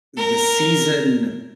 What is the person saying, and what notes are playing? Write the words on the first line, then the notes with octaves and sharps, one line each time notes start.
the season
A#4